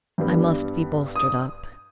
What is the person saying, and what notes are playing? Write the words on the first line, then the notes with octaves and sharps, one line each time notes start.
I must be bolstered up.
G2 G3 B3
D#6